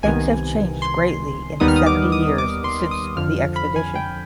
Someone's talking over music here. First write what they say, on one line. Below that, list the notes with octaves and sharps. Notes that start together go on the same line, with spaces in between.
Things have changed greatly in the seventy years since the expedition.
C2 C3 D#3 B3 G#5
C6
D#2 D#3 G3 B3 D#4 D#6
F6
D#6
D6
D#6
D6
C6
D#6
F2 D3 F3 F6
B5
G#5
G5